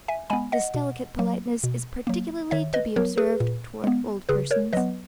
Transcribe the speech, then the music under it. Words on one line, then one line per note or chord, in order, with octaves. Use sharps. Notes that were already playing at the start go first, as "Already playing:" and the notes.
This delicate politeness is particularly to be observed towards old persons.
E5 G#5
G#3 B3 G#5 B5
D#5 F#5
B2
F#3 A#3
B2
F#3 A#3
D#3 C#5 E5
B4 D#5
F#3 B3 A#4 C#5
G#4 B4
A#2
G#3 B3
C#3 G#4 B4
A#4 C#5
F#3 B3 B4 D#5